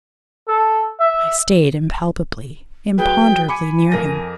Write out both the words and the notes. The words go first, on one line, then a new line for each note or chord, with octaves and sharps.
I stayed impalpably, imponderably near him.
A4
E5
F#3 G#4 B4 G5
G#5 B5 D6 C#7
F2 A#4 A#6